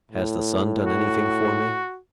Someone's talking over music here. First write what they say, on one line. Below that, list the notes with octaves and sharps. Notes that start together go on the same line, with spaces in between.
Has the sun done anything for me?
A2
F#4